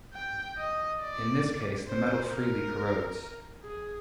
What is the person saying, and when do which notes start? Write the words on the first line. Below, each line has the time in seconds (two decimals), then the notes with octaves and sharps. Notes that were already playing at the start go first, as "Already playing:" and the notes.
In this case, the metal freely corrodes.
0.14 G5
0.57 D#5
1.01 D5
1.88 C5
2.32 A#4
3.63 G#4